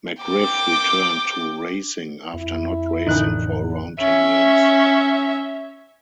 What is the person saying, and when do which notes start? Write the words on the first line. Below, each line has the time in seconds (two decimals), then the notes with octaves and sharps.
McGriff returned to racing after not racing for around ten years.
0.23 G5 D6
2.34 F2 E4
3.07 A1 D3 D#4 F#6
4.00 C#4 E5